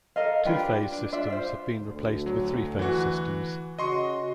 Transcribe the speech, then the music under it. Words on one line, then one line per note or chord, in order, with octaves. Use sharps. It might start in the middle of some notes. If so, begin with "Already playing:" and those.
Two-phase systems have been replaced with three-phase systems.
A4 A#4 D#5 F5
D4 F4 G4 B4
D4
D4 F4 E5
C5 F5
D2
F#3
E3 F#4
C#3 F#4 D#5 C6 C#6